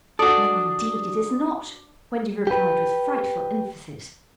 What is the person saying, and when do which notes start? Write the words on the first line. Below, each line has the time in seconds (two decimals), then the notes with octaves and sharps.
'No, indeed, it is not,' Wendy replied with frightful emphasis.
0.19 D4 F#4 A4 D5 D#6
2.47 G4 B4